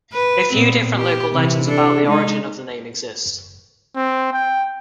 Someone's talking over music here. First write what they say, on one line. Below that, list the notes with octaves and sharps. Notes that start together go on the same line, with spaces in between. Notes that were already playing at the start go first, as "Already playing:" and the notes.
A few different local legends about the origin of the name exist.
B4
A#2 B3 C4
G4
C3 E3
D4 A4
G#3 D#4
C4
G5